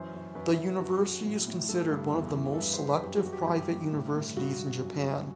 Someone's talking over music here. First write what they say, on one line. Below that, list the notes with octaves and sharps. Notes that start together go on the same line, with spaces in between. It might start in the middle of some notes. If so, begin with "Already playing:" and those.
The university is considered one of the most selective private universities in Japan.
Already playing: F#2 E3 C5
F#2
F#2 B4
E4
F#2
E4
F#2 F#4
F#2
A2
A2
G2 A4
G2
E2
E3
A4
G2 B4
C5
G2
B4
F#2 G4
F#4
F#2
G4
G2 G4
G2
A2
A2
G2 F#4
G2
F#2
F#2